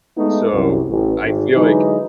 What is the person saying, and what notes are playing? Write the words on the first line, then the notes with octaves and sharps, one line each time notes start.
So, I feel like
G#3 A3 B3 D#4
C2 F#2
A1
G#1
D3 E3 F#3 G#3 D#4